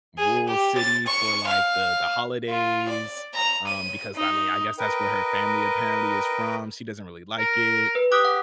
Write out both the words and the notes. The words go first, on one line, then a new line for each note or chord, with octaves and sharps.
rural city for, like, the the holidays, um, because, I mean, I guess that's where her family apparently is from. She doesn't really like it,
G#4
G4
A6
C#6
F5
F4
D5
A#5
D#7
D#4
A#4 B4 D#5 G5
A#4
B4
G4 D6 D#6 F#6
F#5